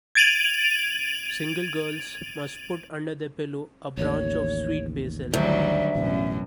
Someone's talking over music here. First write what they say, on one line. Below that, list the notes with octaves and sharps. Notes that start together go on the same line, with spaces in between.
Single girls must put under their pillow a branch of sweet basil.
G#6 A6 D7 D#7 F7 F#7
A1 D#2 C#5
D2 D#3 F#3 G3 E5
A1 F#2 B2